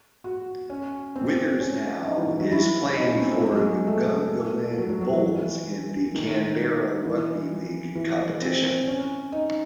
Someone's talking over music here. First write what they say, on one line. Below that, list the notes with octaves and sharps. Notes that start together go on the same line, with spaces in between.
Withers now, is playing for the Gungahlin Bulls in the Canberra Rugby League Competition.
F#4
C#4
C4
C#4
D#4
E3
E3
F#3
E4
D#4
C#4
C4
A3
G#3
F#3
G#3
A3
F#3
F#3
F#3
E3
D#3
E3
E3
C4
C#4
D#4